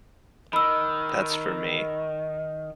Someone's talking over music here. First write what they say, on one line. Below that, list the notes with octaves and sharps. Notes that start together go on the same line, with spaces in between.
That's for me.
D#3 B5 E6